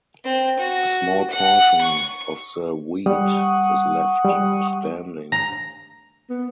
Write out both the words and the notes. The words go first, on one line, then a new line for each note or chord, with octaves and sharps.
A small portion of the wheat is left standing.
C4
F#4
F#5
C#6
G3 F#5 C#6 D#6
G3
A#5
B3